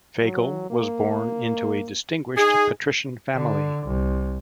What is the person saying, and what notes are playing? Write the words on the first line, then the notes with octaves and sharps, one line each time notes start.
Fagel was born into a distinguished patrician family.
F#3
A#3
D#4 G#4
D3
C2